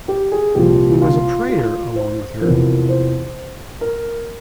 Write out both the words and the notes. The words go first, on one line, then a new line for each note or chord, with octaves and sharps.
He was a prayer along with her.
G4
G#4
C2 A#2 F3 G4
F4
F4
C5
E2 C3 F3 A#4
C5
A#4